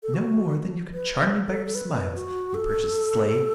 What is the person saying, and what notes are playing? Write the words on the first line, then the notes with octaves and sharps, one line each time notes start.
No more than you could charm me by your smiles, you purchased slave.'
A4
F#4
B4
A4
A4
B4
F#4
A4